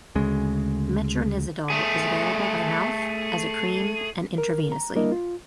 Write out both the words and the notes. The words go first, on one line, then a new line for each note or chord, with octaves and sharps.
Metronidazole is available by mouth, as a cream, and intravenously.
D2 C#3 G#3
A3 G#4
A#4
A#5
G3 A#3 D4 E4 A#4 D#5
F4